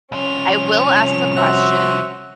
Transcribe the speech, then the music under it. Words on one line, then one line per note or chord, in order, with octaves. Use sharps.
I will ask the question.
C2 F3 C#4 F7
F#4 C5 E5